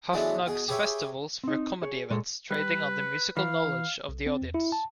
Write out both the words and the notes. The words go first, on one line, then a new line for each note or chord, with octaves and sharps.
Hoffnung's festivals were comedy events, trading on the musical knowledge of the audience.
B2 E3 F#3 G#3 A3 D4
B2 G#4
G4 G#4 B4 C#5 E5 G5
C4 D#4
G#4 C#5
A#2 G#3 A4 C#5
G3 B4
E3 F5
B1
C4
E2
E4
A5